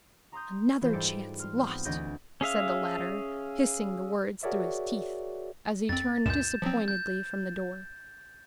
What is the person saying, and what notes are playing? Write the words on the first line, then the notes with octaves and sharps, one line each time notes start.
"Another chance lost!" said the latter, hissing the words through his teeth, as he turned disappointedly from the door.
A#5 C6 D#6 G6
E3 F4 C5
G#2 G3 A4 C#7 D7
C6 F6
B3 C4
D2 E3 D#5 G6 A#6
C#4 G#4 E5 F5
F#4 G#4 A#4 C#5 D5 E5
F2 C4 A6
C#2 F#2 A#2 G6 E7
F3 F#3 C4
G6